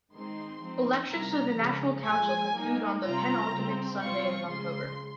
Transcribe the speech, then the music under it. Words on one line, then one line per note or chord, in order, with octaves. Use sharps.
Elections to the National Council conclude on the penultimate Sunday of October.
D#3 G#3 C4 D#4 C6
F3 C4 D#4
C3 G3 A#3 A#5
C#3 F3 G#3 C#4
A#2 F3 G#3 G#5
G3 A#3 D#4
C3 G3 C4 F4 A#5
C#3 G3 C4
C3 G3 C4 F4 C#6
C#3 F3 G#3 C6